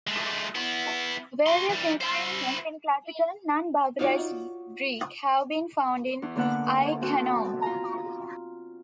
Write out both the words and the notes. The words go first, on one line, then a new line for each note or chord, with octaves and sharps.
Various inscriptions in Classical, non-barbarized, Greek have been found in Ai-Khanoum.
G#3 A3
B3 E4
F#4 C6
E3 G3
E4 C5
D#4 F4 F#4 C#5 D5
E2
D3 A#3 B3 A4 F#5
C4 F#4 A4 A5
F4 A#5